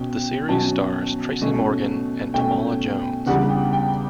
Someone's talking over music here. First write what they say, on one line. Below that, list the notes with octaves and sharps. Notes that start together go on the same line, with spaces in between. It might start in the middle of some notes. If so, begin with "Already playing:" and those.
The series stars Tracy Morgan and Tamala Jones.
Already playing: B2 C#4 G5
B2 F#3 C#4 A5
B2 A3 C#4
B2 A3 C#4 G5
E2 C#3 G3 D4 F#5
G5
G5